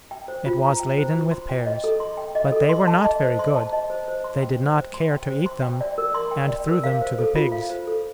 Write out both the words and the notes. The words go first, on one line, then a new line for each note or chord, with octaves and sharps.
It was laden with pears, but they were not very good; they did not care to eat them, and threw them to the pigs.
G5
C5
F4
A#5
G5
C5
F4
C6
G5
D#5
A4
C6
G5
D#5
A4
C6
A5
D#5
C5
C6
A5
D#5
C5
C5
C6
G5
C5
C5
C6
G5
C5
C6
G5
D5
A#4
C6
G5
D5
A#4
F5
C5
A4
F4
F5
C5
A4